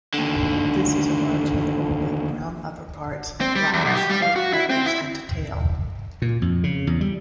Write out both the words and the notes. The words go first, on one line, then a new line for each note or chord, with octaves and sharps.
This is a large eagle with brown upperparts and blackish flight feathers and tail.
D#2 D3
C4
G3
E2
B1
G4
G3
F5
F#4
E4
C4
E4
A#2
F2
C#3
E2
G3